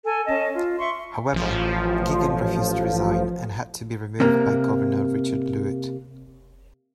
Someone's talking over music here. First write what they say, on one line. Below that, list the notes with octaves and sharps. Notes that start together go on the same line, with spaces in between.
However, Jagan refused to resign, and had to be removed by Governor Richard Luyt.
A4 G#5
C#4 D#5 A5
F4
E5 C6 C#6
A1 F3
C3 A#3